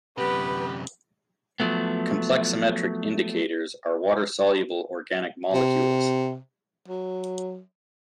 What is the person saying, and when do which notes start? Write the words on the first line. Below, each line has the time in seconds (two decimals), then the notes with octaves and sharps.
Complexometric indicators are water-soluble organic molecules.
0.18 F#2 C3 B3 G4 B4
1.60 F3 F#3 A3 B3
5.53 C3
6.88 F#3